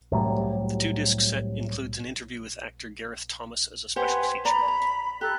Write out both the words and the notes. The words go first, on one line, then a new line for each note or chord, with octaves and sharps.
The two-disc set includes an interview with actor Gareth Thomas as a special feature.
C2 A2 F#3 G3
G4 B4 C5 F#5 G#5 C6
D5 A#5 B5
A#5
G4 A4 A#5 F#6